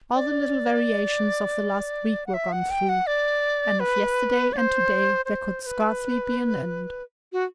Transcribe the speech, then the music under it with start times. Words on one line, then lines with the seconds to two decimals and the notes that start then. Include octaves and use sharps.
All the little variations of the last week were gone through; and of yesterday and today there could scarcely be an end.
0.15 D5
2.26 F#5
2.34 E5
2.52 F#5
2.70 G5
2.89 F#5
3.07 D5
3.80 B4
4.53 D5
4.57 C5
5.25 C5
5.62 C5
5.66 B4
7.32 F#4